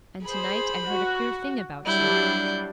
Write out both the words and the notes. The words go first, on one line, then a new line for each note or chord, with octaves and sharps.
'And to-night I heard a queer thing about you.'
G#4 C5 B5
F#4
F#3 G3 D4 E4 G6